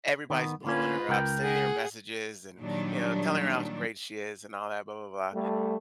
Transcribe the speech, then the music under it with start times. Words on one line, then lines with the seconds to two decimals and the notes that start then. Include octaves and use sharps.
everybody's blowing her up, sending her messages, and, you know, telling her how great she is and all that, blah, blah, blah.
0.30 D#3 B3
0.64 D3 A#3 C#4 F4 B4
1.09 C#2 A#4 G5
1.43 G#4 F#5
2.58 A#2 D#3 F#3 G3 D4
5.34 G3 A3